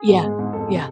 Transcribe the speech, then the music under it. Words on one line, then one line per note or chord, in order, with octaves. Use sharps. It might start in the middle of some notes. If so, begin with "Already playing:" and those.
Yeah, yeah.
Already playing: G#4
G#2
G#3
G#2
F2 A4
C3